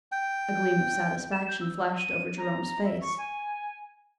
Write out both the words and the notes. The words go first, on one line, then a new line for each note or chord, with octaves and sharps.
A gleam of satisfaction flashed over Jerome's face.
G5
E7
G6
E6
D#7
A#5
E5
C#6
G#5